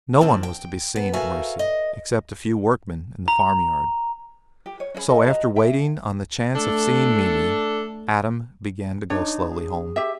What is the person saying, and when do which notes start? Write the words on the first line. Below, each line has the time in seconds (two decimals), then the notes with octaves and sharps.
No one was to be seen at Mercy except a few workmen in the farmyard, so, after waiting on the chance of seeing Mimi, Adam began to go slowly home.
0.21 F3 C4 D4
0.43 G5
0.96 B3
1.13 F#4 A4 A#4 E5 F5 G#5
1.59 D#5
3.28 A#5
4.66 G4
4.80 C#5
4.94 C#4 G#4 D#5 B5
5.09 A4 D#5
5.26 F#4 D#5 A#5
5.56 G4 E5 G5
6.55 A3 D4 A4
9.10 D4 D#4 C#5
9.50 G#4
9.96 G4 E5